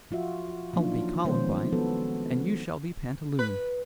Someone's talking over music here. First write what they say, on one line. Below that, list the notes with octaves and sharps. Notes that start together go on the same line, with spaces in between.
"I'll be columbine and you shall be pantaloon."
F3 F4 F#4 E5
F3 F#3 A#3 D4 D#4 F4
D#3 F3 G#3 B3 C#4 C5
B3 F#4 A4 B4
B4